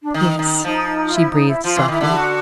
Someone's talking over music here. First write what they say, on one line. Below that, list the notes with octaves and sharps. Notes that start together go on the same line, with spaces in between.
"Yes," she breathed softly.
D4
D#3 D#4
D#3
F3 D#4
F4
E4
D#4
E4
F3 F4
E3
D#3 E4
D3
G4
F#4